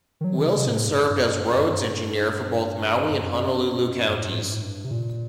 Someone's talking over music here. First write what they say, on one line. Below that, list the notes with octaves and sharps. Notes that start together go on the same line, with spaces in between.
Wilson served as roads engineer for both Maui and Honolulu counties.
D#3
F#3
D#3
C3
C3
A2
G2
G2
F#2
G2
F#2
G2
G2
F#2
G2
A2
G2
A2
G2
A2
G2
C3
A#2